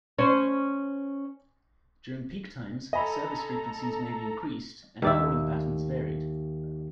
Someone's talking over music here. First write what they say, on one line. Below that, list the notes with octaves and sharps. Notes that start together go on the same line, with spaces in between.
During peak times service frequencies may be increased and calling patterns varied.
C#4 C5
A4 D#5 G#5 A#5 B5
D#2 D5 E5